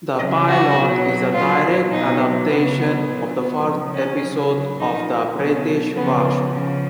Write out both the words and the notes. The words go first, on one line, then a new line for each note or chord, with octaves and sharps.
The pilot is a direct adaptation of the first episode of the British version.
C#3 F#3 D#5
F#4
B2 F#3
A#2 F#3 F4
B2 F#3 D#4
C#3 F#3 B3
B3
A#2 F#3
B3
C#3 F3
C#4
C#3 F#3
A#2 F3 D#4
B2 F#3 C#4
C#3 F3 B3
C#3 F3